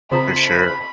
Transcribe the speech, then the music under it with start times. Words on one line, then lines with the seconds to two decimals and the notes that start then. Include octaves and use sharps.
For sure.
0.11 C#3 C4 F4 C5 A#5 B5